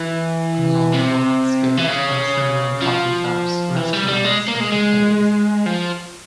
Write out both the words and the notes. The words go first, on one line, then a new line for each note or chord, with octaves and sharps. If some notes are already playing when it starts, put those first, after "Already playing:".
Along Vogts gate are several coffee shops, restaurants and cafes.
Already playing: E3
C3
E3
C#3
F3
E3
G3
G3
G#3
A#3
G#3
G#3
F3